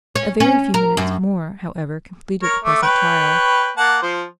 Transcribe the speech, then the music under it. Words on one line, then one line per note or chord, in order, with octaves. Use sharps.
A very few minutes more, however, completed the present trial.
C#4
C#4
A#4
F#2
A#4 C#5
A3 D6
B4 C#5 G5
A#3 F#5 A5
F3 C5